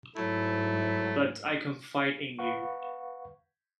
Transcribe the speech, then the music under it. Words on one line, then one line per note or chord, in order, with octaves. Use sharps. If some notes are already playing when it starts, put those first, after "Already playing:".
But I confide in you.
G#2 F#3 A3 E4
B4 F5 F#5 C#6